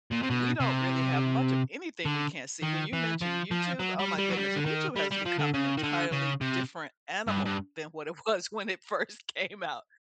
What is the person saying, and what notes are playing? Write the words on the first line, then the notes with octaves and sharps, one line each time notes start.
we don't really have much of anything we can't see. When you mention YouTube, oh my goodness, YouTube has become an entirely different animal than what it was when it first came out.
A#2
C3
B2
C3
D3
D#3
E3
F3
F3
F#3
G3
G3
F#3
G3
D3
D#3
G3
G3
F3
D3
C#3
D#3
D3
C#3
C3
G2
G2